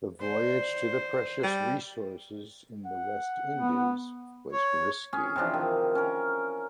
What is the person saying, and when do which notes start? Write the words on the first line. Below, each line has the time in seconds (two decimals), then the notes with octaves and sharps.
The voyage to the precious resources in the West Indies was risky.
0.21 D3 D4 C5
1.43 G3 G5
2.86 F#5
3.54 B3
4.52 C#5
5.13 C#4 G#4 C#5
5.36 C3 E3 F3 D4
5.54 D#3
5.95 C#4 A#4